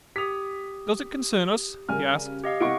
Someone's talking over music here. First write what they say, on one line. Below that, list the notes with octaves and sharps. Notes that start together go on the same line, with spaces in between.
"Does it concern us?" he asked.
G4 D#6 B6 F7
C#3 G3 A#4 G#5 F6
G4 D#5 F5
C3 E4 D#5 F5 F#5 C#6 D7